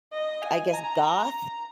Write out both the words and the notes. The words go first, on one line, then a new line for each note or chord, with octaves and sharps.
k I guess, goth,
D#5
G#5
A#5